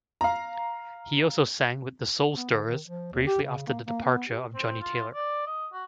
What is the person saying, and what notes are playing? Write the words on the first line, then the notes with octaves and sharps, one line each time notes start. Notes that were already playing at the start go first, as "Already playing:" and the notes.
He also sang with The Soul Stirrers briefly after the departure of Johnnie Taylor.
F5 A#5
B3
D3
D#3
F3
D#2
G4
C#3
A#3
A#3
B3
G4
C4
F4
D5
D#5
F#4